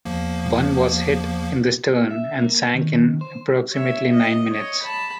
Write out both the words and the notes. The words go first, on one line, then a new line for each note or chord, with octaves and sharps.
One was hit in the stern and sank in approximately nine minutes.
E2 F3 A#3
E5
A#3
D#3
C5
C#5 E5
D#5
C#5 D#5
A5 B5